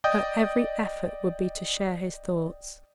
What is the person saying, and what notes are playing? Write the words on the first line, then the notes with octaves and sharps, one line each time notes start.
Her every effort would be to share his thoughts.
D5 D#5 G5 D#6 G6